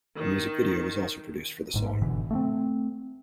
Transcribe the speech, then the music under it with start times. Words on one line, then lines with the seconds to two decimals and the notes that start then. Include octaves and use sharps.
A music video was also produced for the song.
0.17 D#3
1.74 A1 G#2
2.02 G1 B2 D3 E3
2.31 A3 A#3 C4